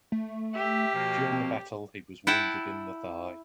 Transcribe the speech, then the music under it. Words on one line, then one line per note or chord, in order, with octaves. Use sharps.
During the battle he was wounded in the thigh.
A3
G4 E5
B2 F3 A#3
C4
E4 F#5 G5 A5